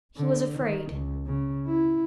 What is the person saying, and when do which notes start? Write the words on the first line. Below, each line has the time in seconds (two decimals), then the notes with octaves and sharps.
He was afraid!
0.17 D3
0.60 D#3
0.91 C#2
1.26 C#3
1.67 E4